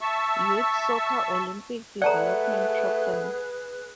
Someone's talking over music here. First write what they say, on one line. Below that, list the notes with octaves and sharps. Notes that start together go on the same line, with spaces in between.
Youth Soccer Olympic Development Program.
E5 A5 C#6 E6
A3 G#4 B4 D5 F#5 A5 A#5 F#6